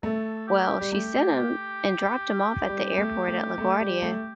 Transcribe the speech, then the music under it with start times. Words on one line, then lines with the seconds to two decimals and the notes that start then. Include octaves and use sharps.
Well, she sent him and dropped him off at the airport at LaGuardia,
0.03 A3 A4
0.48 G4
0.81 G3
0.92 A3 G4
2.69 G3
2.98 A3
3.28 A3
3.58 A3
3.80 G3
4.02 A3